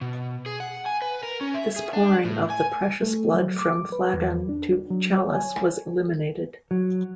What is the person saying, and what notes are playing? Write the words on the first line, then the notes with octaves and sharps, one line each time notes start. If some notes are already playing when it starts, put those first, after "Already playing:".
This pouring of the precious blood from flagon to chalice was eliminated.
B2
G#4
F#5
G#5
B4
A#4
C#4
E5
G#4
D4
A2
G#5
A3
F#3
D6
B4
E2
D4
F#3
C#5
G#5
F#3